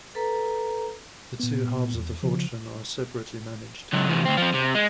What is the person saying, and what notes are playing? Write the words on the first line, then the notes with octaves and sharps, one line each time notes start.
The two halves of the fortune are separately managed.
A4 B4 A#5
A#2 B3
E2
C#3 F3
C#2 F#3
E2 C3
D2 C4
F3 C4
C3
G#3